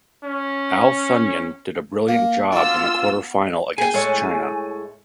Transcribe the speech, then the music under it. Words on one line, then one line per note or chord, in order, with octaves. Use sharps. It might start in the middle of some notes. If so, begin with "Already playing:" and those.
Al Thunayan did a brilliant job in the quarter final against China.
C#4
A#3
D4 F4 F#4 E6
G#4 G5 G#5
A2 G#3 C#5